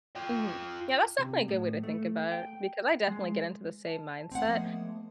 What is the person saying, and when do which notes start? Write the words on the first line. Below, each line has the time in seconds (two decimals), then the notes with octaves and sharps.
Mhm. Yeah, that's definitely a good way to think about it, because I definitely get into the same mindset.
0.16 F4 G5
1.18 C3
1.48 A2
1.83 A3
2.32 G5
3.08 G#3
3.87 A5
4.32 A3 B3 C4 C#5 E5 F#5
4.45 F3 G#3 A#3